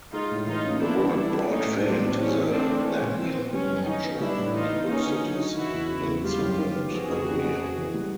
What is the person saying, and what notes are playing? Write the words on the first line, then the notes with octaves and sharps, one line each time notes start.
The work brought fame to the then young Macho and boosted his incipient career.
G#3 D#4 F4
A2
E3 D#4 F4
C#4
A#3 D4 E4
E3
G3 D4 E4
E3
A3 C#4 D#4
A2
F#3 C4 D4
A2
C4 C#4
E3
A3 C4 D4
E3
G#3 C#4
A#2
F3 C4
B3
G3 C#4
F#2
D#3 C#4 D#4
B3
G3 D4 E4
A2
E3 D#4 F4
B3
A#3 C#4 D#4
D3
F#3
D#4
E3 E4 F#4
E2
C#3
E2
G3 F4 G4
F#2
D#3
B3
F3 F#4 G#4
F2
C#3
F2
B3
E3
G3